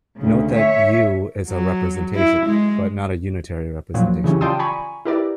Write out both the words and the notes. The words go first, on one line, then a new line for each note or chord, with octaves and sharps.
Note that "u" is a representation, but not a unitary representation.
D2 C#3
C#5 E5
F#3
E4
G#3
A#2 F3 F#3
C#3 E3 C#4 G4
F4 D5 G5 A5 C6 D#6
G#5 A#5 B5 C#6
E4 G4 A#4 B4 D5